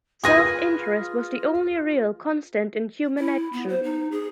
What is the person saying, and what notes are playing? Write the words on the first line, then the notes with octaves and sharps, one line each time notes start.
Self-interest was the only real constant in human action.
F4 G#4 B4 G#5 D#6 A#6
E4
B3
C5
D#4
G#4